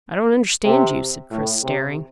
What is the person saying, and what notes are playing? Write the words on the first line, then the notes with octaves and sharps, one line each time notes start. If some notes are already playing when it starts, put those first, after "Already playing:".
"I don't understand you," said Chris, staring.
C3
A2
C3